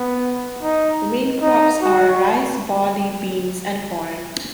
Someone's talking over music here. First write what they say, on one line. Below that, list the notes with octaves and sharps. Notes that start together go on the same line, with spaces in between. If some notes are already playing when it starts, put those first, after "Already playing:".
The main crops are rice, barley, beans and corn.
Already playing: B3
D#4
D#4
F#4